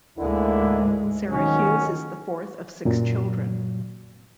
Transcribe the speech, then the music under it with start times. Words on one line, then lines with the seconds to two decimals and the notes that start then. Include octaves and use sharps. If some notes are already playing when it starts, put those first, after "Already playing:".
Sarah Hughes is the fourth of six children.
0.19 D2 G#2 D3 G#3 A#3 E4
1.32 G#1 D#3 F#3 C#4
2.85 F#2 A#2 F#3